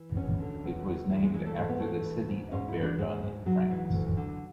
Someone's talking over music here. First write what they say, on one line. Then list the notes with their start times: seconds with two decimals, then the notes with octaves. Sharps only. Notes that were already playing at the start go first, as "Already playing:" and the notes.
It was named after the city of Verdun, France.
Already playing: E3
0.16 E2 C#4
0.40 D3
0.64 E2
0.87 E2
1.10 E3 G#3
1.23 G#3
1.34 E3 G#3
1.46 A3
1.58 G#2 A3
1.69 B3
1.80 E3 A3
2.04 E3
2.29 G#2
2.51 G#2 C#4
2.68 E4
2.76 E3
2.83 D4
2.98 G#2 G#3
3.23 G#2
3.46 G#2 F#3
3.70 E3
3.94 D2
4.17 D3